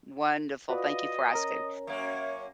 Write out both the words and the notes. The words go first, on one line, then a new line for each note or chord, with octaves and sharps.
Wonderful, thank you for asking.
F4 F#4 B4 D5 D#5
C#4 A#4 A#5
F#2 A#3 C#5